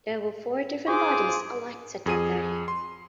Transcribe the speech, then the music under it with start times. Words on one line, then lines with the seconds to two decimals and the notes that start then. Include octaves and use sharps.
There were four different bodies elected that day.
0.87 F4 G#4 C5 D6
2.06 F2 G#4 D#7
2.68 C6